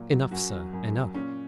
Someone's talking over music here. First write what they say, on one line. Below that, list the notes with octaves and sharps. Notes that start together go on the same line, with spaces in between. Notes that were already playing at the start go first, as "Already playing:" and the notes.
Enough, sir, enough.
Already playing: A#2 F#3
F#3
F#2 F#4
F#3
F#2
F#3
A#2 C#4